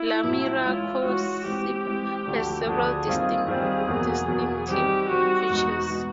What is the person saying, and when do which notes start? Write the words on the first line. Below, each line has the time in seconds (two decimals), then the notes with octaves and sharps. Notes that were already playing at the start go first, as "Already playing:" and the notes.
Lumiracoxib has several distinctive features.
Already playing: E4
0.23 A#2 F#3 A3
0.63 E3 G#3 C#4 F4
1.04 E3 G#3 C#4 F#4
1.45 E3 G#3 C4 G4
1.86 E3 G#3 C4
2.25 D2 D3 F3 A3 D4
2.66 D2 D3 F3 A3 D4 G#4
3.06 D#2 D#3 G3 C4 F4
3.46 D#2 D#3 G3 C4 F4 G#4
3.87 E2 B2 F#3 A#3
4.28 E2 B2 F#3 A#3
4.68 D#3 G3 C4 G4
5.09 D#3 G3 C4 F#4
5.49 E2 B2 G#3 B3 D#4
5.90 B2 G#3 B3 D#4